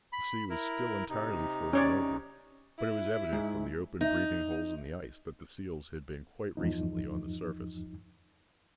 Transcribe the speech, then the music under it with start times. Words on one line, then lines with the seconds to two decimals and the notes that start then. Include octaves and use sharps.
The sea was still entirely frozen over, but it was evident from the open breathing holes in the ice, that the seals had been quite recently on the surface.
0.13 B5
0.50 E4 A#4
1.10 C3 D#4
1.73 C#4 C#5 D5
2.78 E4
3.33 G#2
4.01 D#4
6.57 E2 G2 F3 D#4